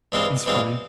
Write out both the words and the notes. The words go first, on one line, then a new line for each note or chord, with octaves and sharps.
It's funny.
G2 E3 G#3 C4 F4
G2 E3 G#3 C4 F4